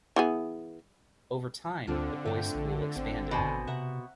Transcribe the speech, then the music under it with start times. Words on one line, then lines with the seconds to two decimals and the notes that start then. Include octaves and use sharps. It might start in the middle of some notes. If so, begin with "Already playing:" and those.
Over time, the boys' school expanded.
0.16 E3 B3 G#4
1.87 D2 D3 C4 D4 F4
2.26 G2 A3 G5
2.54 A#1
2.96 G#1 C4
3.31 B2 C5 G#5 D6
3.67 C3 E5 F#5 A#5